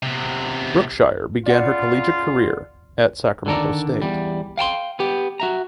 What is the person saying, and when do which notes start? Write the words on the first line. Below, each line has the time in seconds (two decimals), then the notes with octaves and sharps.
Brookshire began her collegiate career at Sacramento State.
0.03 C3 B3
1.46 C#3 F4 D5 F#5
3.46 D3 D#3 A4 D5 A#5
4.02 E2 G3
4.58 F5 G5 A5 C6
4.99 B3 G4
5.40 F#4 E5 A#5